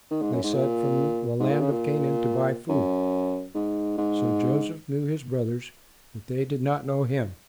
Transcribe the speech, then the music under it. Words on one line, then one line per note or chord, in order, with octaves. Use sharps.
They said, "From the land of Canaan to buy food." So Joseph knew his brothers, but they did not know him.
D#3
G#2
F#2
G#2
A#2
G#2
A#2
C#3
A#2
F#2
G#2
G#2